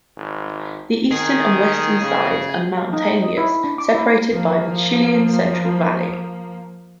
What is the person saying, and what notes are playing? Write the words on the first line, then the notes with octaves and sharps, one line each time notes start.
The eastern and western sides are mountainous, separated by the Chilean Central Valley.
G#1
D#3 G#4
C#3
F5
D#4
D#5
E4
D4
D6
E4
F3 A#3